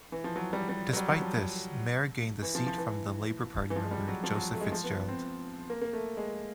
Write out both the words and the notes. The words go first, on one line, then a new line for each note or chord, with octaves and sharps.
Despite this, Mair gained the seat from the Labor party member, Joseph Fitzgerald.
E3
F3
F#3
G3
G3
F#3
G3
F#3
F3
E3
F3
F3
E3
E3
F3
G#3
G3
F#3
F3
F#3
A3
G#3
F3
B3
C4
A#3
A#3
A3
G#3